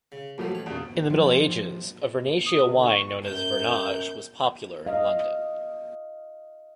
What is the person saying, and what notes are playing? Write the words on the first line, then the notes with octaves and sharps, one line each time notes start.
In the Middle Ages, a Vernaccia wine known as "Vernage" was popular in London.
C#3
A1 A2 F3 F#3 A#3
A1 C#5
E2 A#2 C#3
F3
D#6
C3
D3
C#6
F#2 G6
D#5 F5